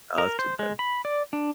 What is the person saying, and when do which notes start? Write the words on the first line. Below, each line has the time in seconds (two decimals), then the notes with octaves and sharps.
Oh, that's too bad.
0.18 A#4
0.39 C5
0.59 G#3
0.79 B5
1.05 D5
1.33 D4